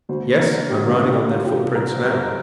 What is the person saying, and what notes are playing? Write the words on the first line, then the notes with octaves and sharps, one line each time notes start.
"Yes, I'm riding on their footprints now."
D2 C5
A#3
D3 A#4
A#3
A#3 G4
D2
F4
D4
G4
D3
G3 F4
C3 G4
G3 G4
C2 A#4
G3 C5
C4 A#4